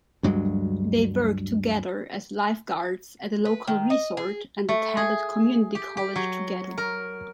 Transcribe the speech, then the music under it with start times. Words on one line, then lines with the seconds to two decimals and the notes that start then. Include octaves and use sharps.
They worked together as lifeguards at a local resort and attended community college together.
0.23 D2 G2 F#3 G#3
3.45 B4
3.67 D#3
3.90 D#5
4.17 G#4
4.69 A3
4.97 G#4
5.75 G4
5.97 G4
6.16 F#3
6.78 A#4